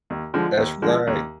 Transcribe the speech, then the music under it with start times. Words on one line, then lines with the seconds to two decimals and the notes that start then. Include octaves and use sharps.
that's right.
0.10 D#2
0.34 D3 F3 G#3
0.58 D#2
0.82 D3 F3 G#3
1.07 D#2